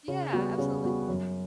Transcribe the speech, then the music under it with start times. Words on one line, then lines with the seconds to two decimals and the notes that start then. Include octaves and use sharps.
Yeah, absolutely.
0.08 C#3
0.33 G3 B3 F#4
0.58 C#3
0.83 G3 B3 F#4
1.08 F#2